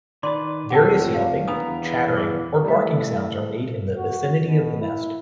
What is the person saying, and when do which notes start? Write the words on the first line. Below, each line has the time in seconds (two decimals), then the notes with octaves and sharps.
Various yelping, chattering or barking sounds are made in the vicinity of the nest.
0.23 D#3 B4 D5 A5 C6 D6
0.70 F1 G4 C#5 F#5 G5 A5 E6
1.14 F5
1.48 E2 B3 D4 B4 G5 A#5 D#6
1.83 E3
2.17 G#4
2.65 G3 A3 E4 A4 E5
3.97 F#4
4.47 B2
4.81 E4